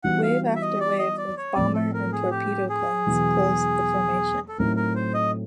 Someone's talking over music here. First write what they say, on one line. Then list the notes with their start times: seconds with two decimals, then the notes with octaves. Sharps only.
Wave after wave of bomber and torpedo planes closed the formation.
0.04 E3 G3 B3 D#4 F#4 F#5
0.23 F5
0.56 E5
0.62 D#5
0.80 D5
0.99 D#5
1.18 D5
1.37 C#5
1.55 A2 F3 A3 C4 D5
1.74 A4
1.94 A#4
2.12 G#4
2.31 G4
2.69 G#4
3.06 E2 B2 F#3 B3 E4
4.49 A4
4.58 A2 F#3 A3 C4 D#4 A#4
4.76 A#4
4.95 C5
5.14 D#5